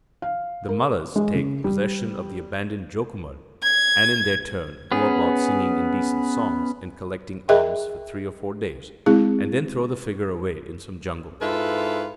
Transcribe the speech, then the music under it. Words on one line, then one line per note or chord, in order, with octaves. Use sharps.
The Malas take possession of the abandoned Jokumara, and, in their turn, go about singing indecent songs, and collecting alms for three or four days, and then throw the figure away in some jungle.
F5
A#4
G#3
C#3
G3
G#6
B3 C#4 G#4
G#4 A#4 D#5 E5 G5
G#3 C4 E4 G#4
G#2 E4 F4 A4 B4